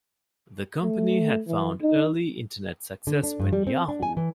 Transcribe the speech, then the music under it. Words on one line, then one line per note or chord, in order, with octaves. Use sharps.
The company had found early Internet success when Yahoo!
A3
E3
D#4
D3
D4
G2
G3
C4
D4
G#5
E3